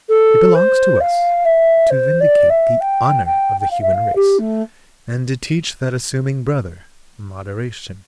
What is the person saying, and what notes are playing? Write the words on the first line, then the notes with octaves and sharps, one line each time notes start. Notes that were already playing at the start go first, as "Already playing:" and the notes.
It belongs to us to vindicate the honor of the human race, and to teach that assuming brother, moderation.
A4
C5
F5
E5
C5
D5
E5
G5
G5
G5
F5
E5
F5
G4
A3